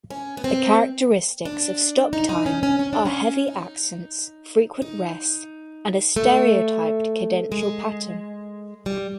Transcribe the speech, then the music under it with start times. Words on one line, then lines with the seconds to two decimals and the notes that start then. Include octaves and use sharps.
The characteristics of stop-time are heavy accents, frequent rests, and a stereotyped cadential pattern.
0.10 C#4
0.37 B3
0.44 C4
1.45 D4
2.13 D#4
2.29 D#4
2.46 C#4
2.63 C#4
2.79 C#4
2.93 D4
3.05 C#4
3.48 D#4
4.82 D#4
6.16 A3
7.52 G#3
8.86 G3